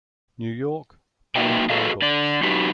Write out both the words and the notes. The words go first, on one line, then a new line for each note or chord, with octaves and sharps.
New York: Ballantine Books.
A#3 D#4 F#4 B4 E5 G5
F#4 G#4 A4 B4 D#5 F5
D3 D5
F#3 D#4 F#4 G4 B4